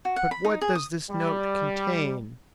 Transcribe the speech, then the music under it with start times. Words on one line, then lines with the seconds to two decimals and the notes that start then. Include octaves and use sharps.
"But what does this note contain?"
0.05 F#4
0.16 F#5
0.31 B5
0.45 D#4
0.61 G#4
0.75 D#6
1.10 G3